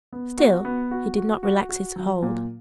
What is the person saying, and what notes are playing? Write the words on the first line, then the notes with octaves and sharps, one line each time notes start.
Still he did not relax his hold.
B3
F#4
B3
F#4
F#4
F#4
F#4
F#3
A#2